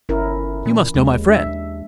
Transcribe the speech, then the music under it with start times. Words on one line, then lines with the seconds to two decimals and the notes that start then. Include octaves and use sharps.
You must know my friends....
0.09 G1 C#4 E4 A#4
0.66 A#2 E3
0.95 D#2 G#3 A#3
1.29 D4 E5